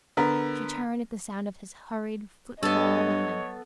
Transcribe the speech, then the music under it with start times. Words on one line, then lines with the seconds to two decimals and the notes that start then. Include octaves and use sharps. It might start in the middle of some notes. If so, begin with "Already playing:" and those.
She turned at the sound of his hurried foot-fall behind her.
0.17 D3 B3 A#4
2.63 G2 B3 A4 C#5 D#5